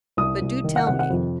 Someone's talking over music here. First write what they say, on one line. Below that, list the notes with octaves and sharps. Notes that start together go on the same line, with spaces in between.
But do tell me.
C2 D#6
C2
D#3
F#5
C3 F#5
F#5
F2